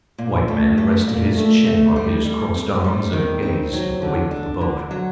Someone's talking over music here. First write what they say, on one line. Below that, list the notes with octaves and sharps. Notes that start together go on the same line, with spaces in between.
The white man rested his chin on his crossed arms and gazed at the wake of the boat.
A#2
A3
A3
A#2
A3
A3
G3
G3
C4
G3
D#3
C4
F#3
D3
D4
D3
F#3